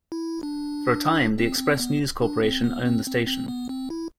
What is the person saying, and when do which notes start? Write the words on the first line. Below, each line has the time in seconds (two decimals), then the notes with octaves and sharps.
For a time the Express News Corporation owned the station.
0.12 E4
0.43 D4
1.38 C4
1.59 C4
1.80 B3
2.22 D4
2.43 C4
2.64 B3
2.85 C4
3.06 C4
3.27 C4
3.48 B3
3.69 C4
3.90 E4